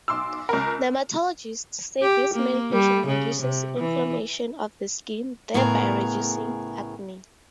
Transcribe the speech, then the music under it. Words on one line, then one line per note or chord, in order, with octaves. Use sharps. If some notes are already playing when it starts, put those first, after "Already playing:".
Dermatologists say this medication reduces inflammation of the skin, thereby reducing acne.
B1 C6 D6 E6
C#2 A#4
G4
A#3
G3
C#3
C3
E3
A2 C#3 B3 G#4 A#4